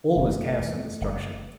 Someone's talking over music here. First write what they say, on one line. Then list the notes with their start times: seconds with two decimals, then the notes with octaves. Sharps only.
All was chaos and destruction.
0.16 F#1 A3
0.59 E2 B2
1.01 F#1